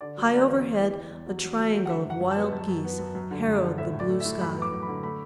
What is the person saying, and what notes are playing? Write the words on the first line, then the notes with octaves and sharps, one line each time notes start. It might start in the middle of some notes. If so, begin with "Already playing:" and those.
High overhead a triangle of wild geese harrowed the blue sky.
D3 D5
F#3
D3 D5
E2
E2
E3
E3
E2
F#3
F#3
F#3
F#3
F#5
D3 E5
F#2 F#5
F#2
A5
B3
F#2
F#2
B3
F#2
F#2
D3
F#2
D3
A2 E5
A2
D5
A3
E5
A2
F#2 B5
B3
D6
F#2
B5
D3
A3 B5